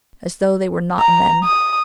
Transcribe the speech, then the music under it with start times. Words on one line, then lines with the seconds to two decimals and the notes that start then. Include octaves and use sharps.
As though they were not men.
0.99 A#5
1.43 D#6